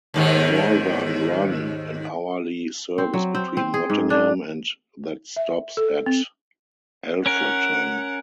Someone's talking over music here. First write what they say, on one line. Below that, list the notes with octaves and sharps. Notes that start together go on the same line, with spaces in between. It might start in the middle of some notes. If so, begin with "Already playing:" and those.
Northern run an hourly service between Nottingham and that stops at Alfreton.
D#2 G#2 D#3
C4
F#3
C4
C4
G#4
G#2
D4
E5
A4
C4
C#4 A#4 F#5